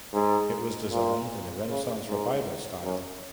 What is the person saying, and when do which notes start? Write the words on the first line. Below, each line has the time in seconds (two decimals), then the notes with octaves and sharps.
It was designed in the Renaissance Revival style.
0.14 G#2
0.91 A#2
1.68 C#3
2.06 G#2
2.83 F#2